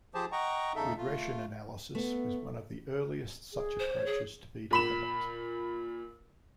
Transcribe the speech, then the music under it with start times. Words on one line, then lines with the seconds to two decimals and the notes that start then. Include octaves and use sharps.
Regression analysis was one of the earliest such approaches to be developed.
0.14 F3 G4 G#4 C5 A5
0.32 D#5 F#5 G5 A#5 C#6
0.75 E2 C#3 D#4 A4 E5
0.98 A3 F4
1.95 A3 B3
3.53 G#4
3.79 C5
3.93 C#5
4.06 G#4
4.71 A#2 B5 E7